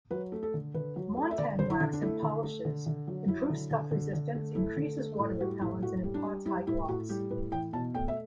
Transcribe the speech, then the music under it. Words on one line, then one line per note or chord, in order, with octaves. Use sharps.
Montan wax in polishes improves scuff resistance, increases water repellence, and imparts high gloss.
F#3 B4
A3
A4
D3
D3 B4
F#3
A3
E5
D3 D5
D3 C5
E4
D3 D4
D4
A3 E4
D3
A3
D3
D3
F#3
F#3 E4
D3
D3
D3
D3
A3
A3 E4
D3
A3
A2
G3 F#4
A2 E4
A2 F#4
G3
D4
G3
G3 E4
A2 E4
A2 F#4
G3 G4
A2 B4
E3 G5
B2 A5
A3 G5
E5